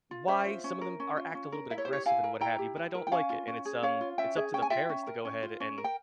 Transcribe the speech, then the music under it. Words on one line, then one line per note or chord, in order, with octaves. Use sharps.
why some of them are act a little bit aggressive and what have you, but I don't like it, and it's, um, it's up to the parents to go ahead and
F4
C#4 C5 E5
F4
C#4
A#4
C#4
F4
C#4
A#4
E4 E5
C#5
C5
G4 C#5
E4 F5 G#5
A#4
E4 G5 A#5
G4
E4
A#4
G5
C#4 F5 G#5
F4
C#4
G#4
C#4 C#5 F5
F4
C#4 E5 G5
G#4
C#4 G5
G#5
F4 E5 G5
C#4
A#4
C#4
F4
C#4
A#4
G5